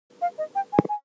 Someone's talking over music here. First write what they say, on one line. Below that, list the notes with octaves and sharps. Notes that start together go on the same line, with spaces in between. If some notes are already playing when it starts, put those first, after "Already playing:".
Setting out, I had three reasons for writing in the style I did.
F5
D#5
G5
G#5
G#5